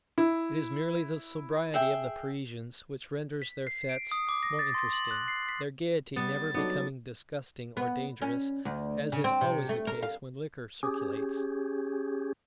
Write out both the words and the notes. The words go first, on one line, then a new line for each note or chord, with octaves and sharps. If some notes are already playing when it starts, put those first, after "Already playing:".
It is merely the sobriety of the Parisians which renders their fetes more interesting, their gaiety never becoming disgusting or dangerous, as is always the case when liquor circulates.
E4
G#4 E5 G5
B6
C7
D7
D#6
D6
A#6
A6
C6
F#7
F#6
C7
B6
G3 B3 A6
F#3 B3 D4 D#4 A4 D5
B3
C#4
D2
C#3
C4
C3
A3
A#4
F5
C#4 G4 G#4